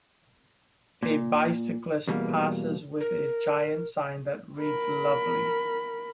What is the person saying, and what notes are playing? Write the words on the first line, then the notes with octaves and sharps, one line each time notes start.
A bicyclist passes with a giant sign that reads lovely.
A#2
E2 B2 G3 A#3
A#4
A#4 B5